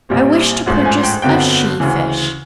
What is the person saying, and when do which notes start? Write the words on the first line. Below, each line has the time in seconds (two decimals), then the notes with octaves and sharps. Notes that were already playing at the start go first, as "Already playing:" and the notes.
"I wish to purchase a she-fish."
0.09 A#1 A#2 G3 C4
0.66 A1 G#2 F3 A3
0.85 G#5
1.03 G5
1.22 G1 F2 D3 F#3 B3 G5
1.80 D2 C#3 E3